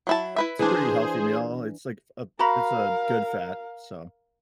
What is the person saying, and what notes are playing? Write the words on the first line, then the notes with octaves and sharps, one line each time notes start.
it's a pretty healthy meal, it's, like, f a it's a good fat, so
F#3 E4 A5
E4 B4 E5
E3 D4 G#4 C5
F#4 A#4 F5 A#5 B5